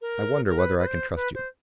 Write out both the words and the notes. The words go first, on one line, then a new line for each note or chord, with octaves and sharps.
I wonder whether I can trust you?
A#4
A#4
B4
B4
C5
B4
C5